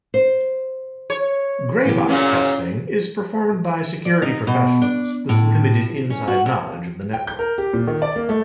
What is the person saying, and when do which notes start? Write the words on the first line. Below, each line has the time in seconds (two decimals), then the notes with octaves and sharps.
Grey-box testing is performed by security professionals with limited inside knowledge of the network.
0.14 C5
1.10 C#5
1.85 E3 B3 G4
2.08 A#2 C#3 F#3 C#4
4.05 D5
4.22 D#4
4.47 B2
4.82 D4
5.29 A2
6.10 C#4
6.28 F#4
6.46 F2
7.13 G5
7.27 G6
7.39 A#4
7.58 G4
7.73 A#2
7.87 D#3
8.02 D5
8.16 A#3
8.29 A3